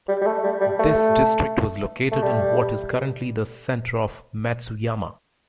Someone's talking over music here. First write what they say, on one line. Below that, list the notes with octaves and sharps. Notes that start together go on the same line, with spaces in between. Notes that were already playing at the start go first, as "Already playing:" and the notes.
This district was located in what is currently the center of Matsuyama.
G3
G3
A3
G3
G3
A3
A3
G3